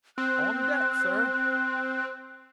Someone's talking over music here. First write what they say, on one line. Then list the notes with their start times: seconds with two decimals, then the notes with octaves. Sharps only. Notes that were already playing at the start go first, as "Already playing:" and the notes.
"On deck, sir."
0.18 C4 F#6